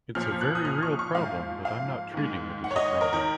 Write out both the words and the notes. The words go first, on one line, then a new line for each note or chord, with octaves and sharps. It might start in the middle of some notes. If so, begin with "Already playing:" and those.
It's a very real problem, but I'm not treating it as a problem.
A#2 F3 F6
F#6
D#6
F6
C#6
C#6
G#2 F3 F5
F5
G#2 D#3
F#5
C#5
D#5
A#4
D#3 A#4